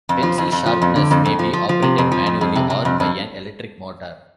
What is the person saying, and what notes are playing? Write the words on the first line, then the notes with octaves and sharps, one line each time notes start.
Pencil sharpeners may be operated manually or by an electric motor.
F2
F3
F2
F2
F3
F2
D3
F2
F2
F3
F3
F3
C3
F2
F3
F2
F2
C3
C3
F2
F2